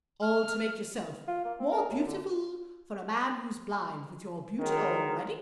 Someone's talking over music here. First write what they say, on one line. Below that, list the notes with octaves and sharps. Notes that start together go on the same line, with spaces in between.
"All to make yourself more beautiful for a man who's blind with your beauty already?"
F6
F4
A#3
C4
A#4
F#2
D3
D#3 F#3 G#3